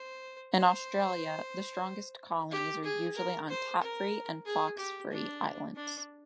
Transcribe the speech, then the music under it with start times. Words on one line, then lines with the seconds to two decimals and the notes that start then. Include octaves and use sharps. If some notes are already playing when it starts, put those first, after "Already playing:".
In Australia, the strongest colonies are usually on cat-free and fox-free islands.
Already playing: C5
0.57 C5
2.51 G4
2.84 G#4
3.16 A#4
3.48 C5
3.81 A#4
4.45 G#4
4.77 G4
5.11 D4
5.75 D4